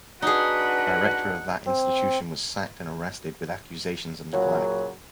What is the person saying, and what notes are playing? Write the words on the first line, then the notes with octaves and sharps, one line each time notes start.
Director of that institution was sacked and arrested with accusations of neglect.
D4 D#4 F#4 G#4 B4 F#5
C4
A#2 C#3 F#3